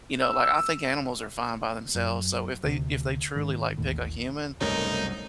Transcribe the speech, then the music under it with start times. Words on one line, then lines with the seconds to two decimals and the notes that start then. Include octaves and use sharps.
you know, like I think animals are fine by themselves, so if they if they truly, like, pick a human,
0.21 E6
1.95 F#2
2.63 D2 C3
3.35 G#1 D#3
3.78 A1 D#2 A2
4.61 C2 F#2 B2 A3 D#4 A#4 C#5